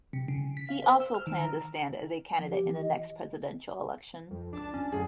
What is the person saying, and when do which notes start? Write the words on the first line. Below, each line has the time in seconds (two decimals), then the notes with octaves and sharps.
He also planned to stand as a candidate in the next presidential election.
0.13 C3
0.28 C#3
0.57 B6
0.69 F5
0.84 C5
1.00 E6
1.14 F6
1.27 D#3
1.38 A#5
2.38 F3
2.51 G4
2.64 E3
2.82 D#5
4.31 F2
4.51 C#2 D4 A5
4.74 C#4
4.92 F#2 A2 D3 G#4